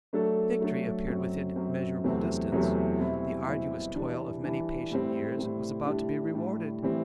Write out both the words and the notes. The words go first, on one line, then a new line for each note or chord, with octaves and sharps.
Victory appeared within measurable distance: the arduous toil of many patient years was about to be rewarded.
F#3 A3 D4 A4
F#3 A3 D4 A4
F#2 F#3 C4
F#2 F#3 C4
E2 C3 F#3 A3 C4
E2 C3 F#3 A3 C4
B2 G3 C4 E4
B2 G3 C4 E4
E3 G3 D4
E3 G3 D4
A2 G3 C4
A2 G3 C4
A2 G3 D4 G4
A2 G3 D4 G4
A2 E3 G3 C4